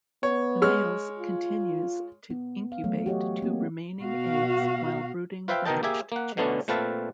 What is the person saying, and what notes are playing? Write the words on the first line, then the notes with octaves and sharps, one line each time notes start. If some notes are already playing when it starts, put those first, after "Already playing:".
The males continues to incubate to remaining eggs while brooding the hatched chicks.
B3 C#5
G#3 C#5 F6
F4
B3
F5
E3 F#3 A3
F#4 G4 C#5 D#5
A#3 C4
B2 F#4 F5
F4 B4 C5 E5 F5 G5
B2 D#3 A#4 D#5 G5 A5
A#3 G4 G#4 E5 G#5
A#3 F#5
B2 D3 A3 B3 C#4 D4
A#2 A3 C4 B4 F5 A5